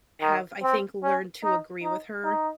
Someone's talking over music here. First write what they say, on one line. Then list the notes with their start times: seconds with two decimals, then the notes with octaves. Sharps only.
have, I think, learned to agree with her,
0.21 D#3
0.63 C4
1.03 C#4
1.44 D#4
1.83 D#4
2.24 D#4